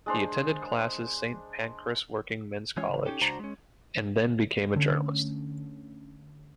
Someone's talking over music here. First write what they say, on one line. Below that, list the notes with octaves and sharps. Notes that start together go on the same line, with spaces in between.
He attended classes Saint Pancras Working Men's College and then became a journalist.
G#3 D4 C5
E3 G#3 C#4 F4 C#5
C#3
C#4 D#4 G4 A4
C#2 D4 F#4 C5 A5 A#5
G#3 C#4
D3 A3 C#4